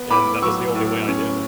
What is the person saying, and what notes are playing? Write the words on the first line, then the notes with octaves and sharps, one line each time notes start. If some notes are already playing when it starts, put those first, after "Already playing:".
and that was the only way I knew.
Already playing: B3
A2 B5 D6
F#3 C#6 E6
A2
C#4